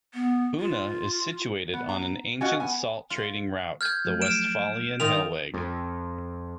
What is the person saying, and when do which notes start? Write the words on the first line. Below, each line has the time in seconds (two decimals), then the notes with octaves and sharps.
Unna is situated on an ancient salt-trading route, the Westphalian Hellweg.
0.14 B3
0.60 F4
1.73 B3
1.89 A#5
2.41 C#4 F4 F#4 D#5
2.60 B3 G#5
3.10 F4
3.81 F6 G6 G#6
4.05 F3 F#3 A3
4.22 F6 D7 E7
5.00 D#3 F4 D#5 F7
5.54 F2